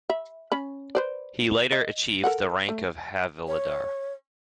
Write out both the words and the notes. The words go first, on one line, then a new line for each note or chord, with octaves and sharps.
He later achieved the rank of Havildar.
E5 B5
C#4 B5
B4 C5 D5
D#5
A4 A#4 F#5
A3
C#5